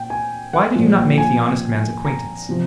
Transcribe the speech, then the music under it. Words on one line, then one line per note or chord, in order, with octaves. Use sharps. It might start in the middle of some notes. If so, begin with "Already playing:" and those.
Why did you not make the honest man's acquaintance?
Already playing: A#2 G5
G#5
F#5
A#2 F3
G5
G#5
A#5
C3 F3